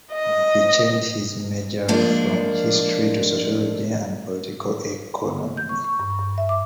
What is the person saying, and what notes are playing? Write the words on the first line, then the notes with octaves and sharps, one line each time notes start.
He changed his major from history to sociology and Political Economy.
D#5
F3 G#3 A#3 D4
G6
C#6
C#6
G2
G2
E5
D6